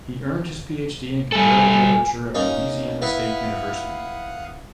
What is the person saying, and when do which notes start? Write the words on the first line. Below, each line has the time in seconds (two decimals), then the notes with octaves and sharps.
He earned his PhD in Comparative Literature at Louisiana State University.
1.32 G3 A4 G#5
2.35 A#3 C#4 D#4
3.02 E4 B4 F5 F#5 D#6